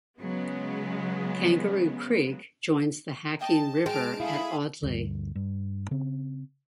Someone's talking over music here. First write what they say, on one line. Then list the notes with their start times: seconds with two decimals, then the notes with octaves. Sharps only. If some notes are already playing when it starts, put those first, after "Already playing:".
Kangaroo Creek joins the Hacking River at Audley.
0.19 C#3 F#3 G#3 B3
3.41 D#5 G5 A5 D#6
3.86 G#3 G5 A5 F6 D7
4.20 E4 G#4 A4 F5 B5
4.83 D2 G2
5.35 G2
5.91 C#3 C4